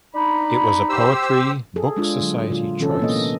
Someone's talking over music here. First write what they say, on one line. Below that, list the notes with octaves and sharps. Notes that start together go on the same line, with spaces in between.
It was a Poetry Book Society Choice.
D4 D#4 B5
G4 C5 E6
G#4 A4
G#3 D4 F4
D3 F#3
A#2 D3 G#3 F4
C3 E3 C#4 D4 A4
A#2 A#3 B3 D#5